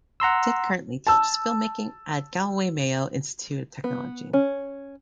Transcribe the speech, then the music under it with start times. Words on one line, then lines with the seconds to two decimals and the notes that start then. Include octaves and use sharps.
Dick currently teaches filmmaking at Galway-Mayo Institute of Technology.
0.20 F#5 A#5 C6 E6
1.07 A5 E6
3.84 B3
4.33 C#4